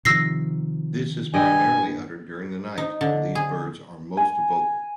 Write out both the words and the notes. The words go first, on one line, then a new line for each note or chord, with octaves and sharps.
This is primarily uttered during the night, when these birds are most vocal.
C3 D#3 F3 E6 A#6 C7
G2 D#5 G5 G#5
D#4
D3
G#4
G#5